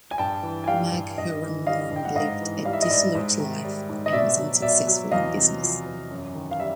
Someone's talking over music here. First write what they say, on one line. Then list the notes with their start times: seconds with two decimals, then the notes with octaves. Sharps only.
Magheramorne lived a dissolute life, and was unsuccessful in business.
0.11 G#5
0.18 G2 G5 A5
0.43 E3
0.64 G#5
0.67 G3 F5 G5
0.92 G2
1.18 G2 D#5
1.41 E3
1.67 G3 D#5 F5
1.91 G2
1.96 G5
2.05 F#5
2.16 G#2 D#5 F5
2.41 E3
2.65 G3 F5
2.73 E5
2.82 D#5
2.90 G#2 D5 E5
3.15 G#2
3.40 D#3
3.64 G3
3.89 G#2
4.06 D#5
4.13 B2 D5 E5
4.38 F#3
4.62 B2 D5 E5
4.87 F#3
5.11 E2 D#5 F5
5.36 C3
5.62 F3
5.86 E2
6.11 F#2
6.35 D#3
6.51 F5
6.60 G3 E5